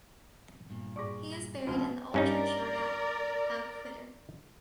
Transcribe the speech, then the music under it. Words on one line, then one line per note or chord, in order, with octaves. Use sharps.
He is buried in the old churchyard at Balquhidder.
G2 A#2
G#2 D5 C#6 D6 A#6
A#6
C#2 B2 F3 A3 C4 F4
G2 C#4 D#4 A#4 D5